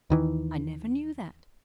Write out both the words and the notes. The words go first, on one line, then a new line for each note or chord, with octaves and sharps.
I never knew that.
D#2 D#3 E3